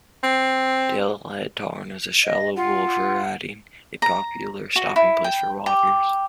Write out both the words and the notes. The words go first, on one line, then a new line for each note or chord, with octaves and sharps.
Dalehead Tarn is a shallow pool providing a popular stopping place for walkers.
C4
D#5
F4 F#5
A#5
F#4
E4
G5
G4